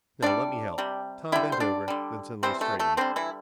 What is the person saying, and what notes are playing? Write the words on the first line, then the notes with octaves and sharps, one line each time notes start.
"No, let me help." Tom bent over--then suddenly straightened.
C3 G3 D4 D5
C3 G3
D3 G3 E4 E5
C5
D4 D5
D3 G3
C3 E3 G3 C4 C5
A3 A4
A3 A4
D3 G3 C4 C5
E3 E4